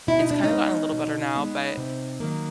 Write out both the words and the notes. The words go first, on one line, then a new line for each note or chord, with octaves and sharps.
it's kinda gotten a little better now, but
B2 E4
D#4
D4
C#4 D#4
G#3 B3
B2
G#3 B3
C3
D#3 F#3 A#3